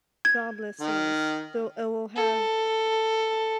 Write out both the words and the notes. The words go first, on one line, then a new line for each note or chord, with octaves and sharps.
job listings so it will have
G#6
D#3
A4